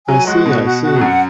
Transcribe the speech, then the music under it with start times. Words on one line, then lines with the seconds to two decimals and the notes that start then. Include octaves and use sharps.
I see, I see.
0.08 F#3 G#5
0.26 G#3 F#4
0.46 B2 F#4
0.64 F#4
0.83 F#4
0.96 F2
1.01 F#2 F#5